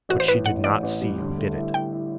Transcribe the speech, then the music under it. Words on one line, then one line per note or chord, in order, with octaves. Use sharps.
But she did not see who did it.
A1 F#4
C5
A2 B4
A1 F#5
A1 D5
A1
G3
D3
A3
E4
E4 G5
E4